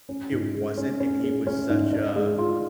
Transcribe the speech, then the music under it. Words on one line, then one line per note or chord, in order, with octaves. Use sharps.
it wasn't, and he was such a
C#4
G#2
G#3
C#4
C#4
G#4
C#4
G#2
D4
G#3
F4